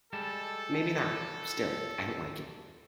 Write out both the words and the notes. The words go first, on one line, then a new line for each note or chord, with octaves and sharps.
Maybe not; still I don't like it.
G3 G#3 A4 A5